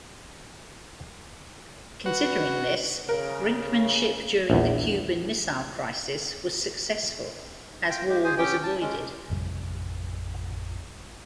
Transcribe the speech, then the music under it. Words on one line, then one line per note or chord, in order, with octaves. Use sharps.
Considering this, Brinkmanship during the Cuban Missile Crisis was successful, as war was avoided.
F#4 B4
C#3 A#4
A#1 E2
F4 G5
G#3 G4
G#4 C5 G#5
C#4 G4 G5
A5
G#3 C#4
A1 F2 C3 G3